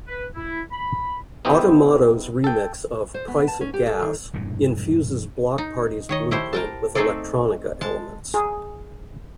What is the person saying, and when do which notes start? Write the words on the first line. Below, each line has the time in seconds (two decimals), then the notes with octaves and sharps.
Automato's remix of "Price of Gas" infuses Bloc Party's blueprint with electronica elements.
0.08 B4
0.36 E4
0.72 B5
1.45 B3 D#4 E4 G4 C5 G5
2.44 A4 G5
3.14 C5
3.28 B3
3.48 A5
3.61 C#4
3.74 G4
3.86 A4
4.02 D#3
4.34 E1 G2 A#2 E3
5.58 D#4
6.09 D#3 C#5 D#5
6.31 A3 E4 G4 C5
6.53 A#4 G5 A5
6.95 A3 C4 D#4 G#4 A4 D5
7.81 G#3 A5
8.34 G#4